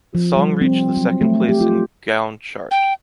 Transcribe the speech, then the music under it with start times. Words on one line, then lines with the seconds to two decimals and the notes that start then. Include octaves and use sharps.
The song reached the second place in Gaon Chart.
0.15 F3
0.36 G3
0.61 C4
0.97 F#3
1.21 A3
1.49 G4
1.61 F4
2.71 G5